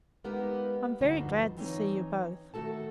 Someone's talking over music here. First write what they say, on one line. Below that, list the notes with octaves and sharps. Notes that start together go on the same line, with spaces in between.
I'm very glad to see you both.'
G#3 A#3 B3 D#4 G4 A#4
D2 G2 D3 F3 D#4 F#4
E3 C4 D#4 C#5
D#3 A3 F#4 A4 A5